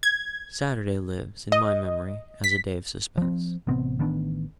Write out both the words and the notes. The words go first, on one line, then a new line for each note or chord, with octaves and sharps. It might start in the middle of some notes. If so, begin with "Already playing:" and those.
Saturday lives in my memory as a day of suspense.
G#6
D#5
B6
F3 C4
A1 C3 B3 C4
A1 D#3 B3 D4